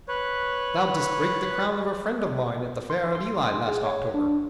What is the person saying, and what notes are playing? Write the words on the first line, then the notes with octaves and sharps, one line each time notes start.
Thou didst break the crown of a friend of mine at the fair at Ely last October.
B4 C#5
C6
C6
G#4
C#5
D4